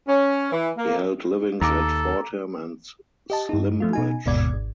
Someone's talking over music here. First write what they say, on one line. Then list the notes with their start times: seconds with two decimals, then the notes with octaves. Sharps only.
He held livings at Fordham and Slimbridge.
0.08 C#4
0.52 E3
0.77 A#3
1.61 D#2 A4 A#5 D6
3.30 G4 D#5 A5
3.49 G2 D#4
3.80 F3 A3 F4
3.93 B2 D#4 G#5
4.26 G1 D#2 G#2 B2 D5 G#6
4.53 G#1